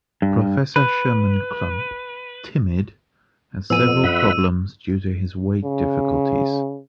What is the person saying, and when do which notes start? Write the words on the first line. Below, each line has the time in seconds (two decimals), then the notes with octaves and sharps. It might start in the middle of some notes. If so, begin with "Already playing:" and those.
Professor Sherman Klump, timid, has several problems due to his weight difficulties.
0.22 G2
0.76 B4
3.70 F2 A2 F3 B3 G#5 E6 D#7
4.04 F#2 E5 F#5 B5
5.64 C#3